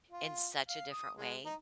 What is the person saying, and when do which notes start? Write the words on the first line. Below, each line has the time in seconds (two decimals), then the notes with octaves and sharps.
in such a different way.
0.11 F4
0.68 F5
0.91 D#6
1.16 G#3
1.46 D#4